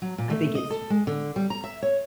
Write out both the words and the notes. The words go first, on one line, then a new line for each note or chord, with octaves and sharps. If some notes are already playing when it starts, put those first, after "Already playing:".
I think it's
F#3
A#2
A3
D#5
A4
G#3
D3
G3
A#5
E5
C#5